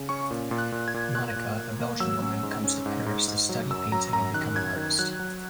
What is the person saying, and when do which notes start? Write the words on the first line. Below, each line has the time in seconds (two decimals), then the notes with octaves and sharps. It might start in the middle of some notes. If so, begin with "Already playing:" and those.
Monica, a Belgian woman, comes to Paris to study painting and become an artist.
Already playing: C#3
0.09 C#4 C#6
0.31 A#2
0.51 A#2
0.58 F#6
0.72 A#2
0.88 G#6
0.94 A#2
1.15 A#2 F#6
1.36 A#2
1.58 A#3
1.80 A#3
2.00 F#3 E6
2.22 C#4
2.43 G#2
2.64 C#4
2.86 G#2
3.06 G#2
3.28 G#2
3.49 F#3
3.70 F#2 E6
3.92 F#3 A#5
4.13 F#2 A#5
4.34 D#3 F#6
4.55 F#2 G#6
4.76 D#3
4.99 F#3 F#6
5.19 F#3